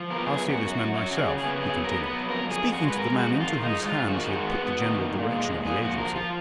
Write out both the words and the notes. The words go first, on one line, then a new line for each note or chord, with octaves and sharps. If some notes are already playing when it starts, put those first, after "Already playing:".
"I'll see this man myself," he continued, speaking to the man into whose hands he had put the general direction of the agency.
Already playing: F3
B3 A#4
F#2 G#4
F#2
F#4
F#2
F#4
F#2
F#3 F#4
C#3
G#4
C#3
G#4
B3
F#4
F#3 G#4
B3
A#4
B3
B4
F#3
F2 A#4
F2
G#4
F2
F#4
G#3
B4
G#3 A#4
G#3
F#4
F2 D#4
F4
D#3
G#3 D#4
G#2
F4
G#2
F#4
D#3
G#3
B3
B3
D#3
A#2
A#2
G#3
A#2
A#2 G#4
F3 F#4
F3 A#4
F3 F4